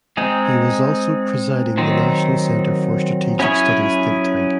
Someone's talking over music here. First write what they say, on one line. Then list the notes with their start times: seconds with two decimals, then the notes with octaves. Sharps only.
He was also presiding the National Centre for Strategic Studies think tank.
0.17 G#3 C4 D#4 G#4
1.78 D#3 F#3 C4 D#4
3.39 F#3 C#4 E4 G#4 C#5